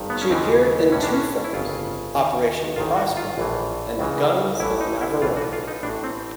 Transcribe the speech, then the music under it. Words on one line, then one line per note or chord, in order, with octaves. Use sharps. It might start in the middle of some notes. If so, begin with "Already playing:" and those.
She appeared in two films: "Operation Crossbow" and "The Guns of Navarone".
Already playing: G#1 G2 D#3
B3
C#4
D#2 C#3 E3 C4
B1 A2 E3 C#4
D4
C#4
E4
G1 F2 C#3 F4
D#2 D#3
A1 G#2 D#3 F4
F#4
F4
A#1 A2 E3
C#2 C#3 E3
A1 A2 E3 E4
D#4
E4
B1 A2 E3 F4
F#4
F4
D#4
A1 A2 E3 D4
C4